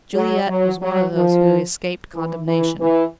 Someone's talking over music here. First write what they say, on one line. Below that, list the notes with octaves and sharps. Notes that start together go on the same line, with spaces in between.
Juliette was one of those who escaped condemnation.
F#3
F#3
F#3
F3
E3
E3
E3